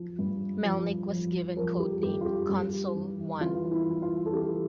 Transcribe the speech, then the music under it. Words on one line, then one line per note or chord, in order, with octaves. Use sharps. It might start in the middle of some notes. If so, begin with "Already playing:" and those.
Melnik was given code name 'Consul I'.
Already playing: F3
G2
F3
F3
F3 A#4
G4
G2 G4
F4
G4
G2 G4
E3
E3 F4
F4
E4
E3
F4
A4
E3 G4